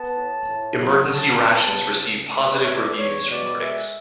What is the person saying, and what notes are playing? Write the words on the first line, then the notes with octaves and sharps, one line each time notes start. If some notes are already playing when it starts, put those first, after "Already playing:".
"Emergency Rations" received positive reviews from critics.
Already playing: B3 A5
A2
A2
F#3
F#3 A5
B3
C#2
C#3
A3 D5
B4
C#5
E2
D5
E2 C#5
B2 D5
G#3 E5